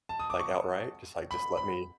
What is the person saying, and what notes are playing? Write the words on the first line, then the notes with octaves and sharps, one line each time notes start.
Like, outright. Just, like, just let me
A5
D#6
D6
C#6
B5
B5